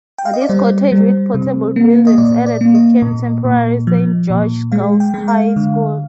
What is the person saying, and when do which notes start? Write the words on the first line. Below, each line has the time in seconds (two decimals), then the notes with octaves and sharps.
This cottage with portable buildings added became the temporary Saint George Girls High School.
0.18 G5
0.25 F5
0.34 D#5
0.41 D5
0.49 G3 C5
0.92 G3
1.34 C3
1.76 A#3
2.07 D#5
2.18 A#2 D5
2.46 D5
2.61 A#3
2.75 D#5
3.02 A#2
3.45 A#2
3.87 F3
4.30 A#2
4.72 G#3 F5
5.00 G5
5.14 G#3
5.28 F5
5.56 D3